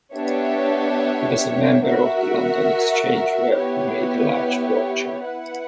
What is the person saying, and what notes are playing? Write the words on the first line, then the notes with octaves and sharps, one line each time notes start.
He was a member of the London Exchange, where he made a large fortune.
B3 D4 G4 C#5 E5
F#4 A#4 E5
B3 E4 G4 C#5
E4 B4 F#5